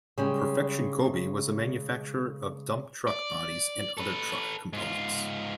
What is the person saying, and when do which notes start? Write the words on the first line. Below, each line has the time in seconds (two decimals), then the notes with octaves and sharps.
Perfection Cobey was a manufacturer of dump truck bodies and other truck components.
0.18 C#3 G3 G#3
3.07 D5
3.97 A4 B4
4.73 G#2 F4